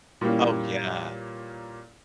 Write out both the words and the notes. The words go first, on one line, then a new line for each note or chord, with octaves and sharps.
Oh, yeah.
A#2 E3 G3 A#3 C#4